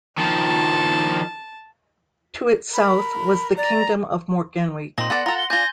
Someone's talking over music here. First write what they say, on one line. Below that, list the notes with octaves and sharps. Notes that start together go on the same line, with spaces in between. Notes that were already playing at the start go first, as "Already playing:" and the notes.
To its south was the Kingdom of Morgannwg.
D#3 F3 A5
A#4 B5
D5 A#5
A#2 C4 D#4 C6 A#6
B3 A4 D5 F#5
F4 A4 A#5 A#6
G7
D4 F4 G#5 G6 A6 A#6 G7